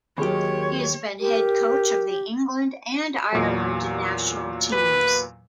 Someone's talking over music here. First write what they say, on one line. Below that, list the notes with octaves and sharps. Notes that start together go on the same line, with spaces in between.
He has been head coach of the England and Ireland national teams.
D#2 F#3 G4 G#4 C#5 C6
G4 A#4
E2 A#2 F#3
B4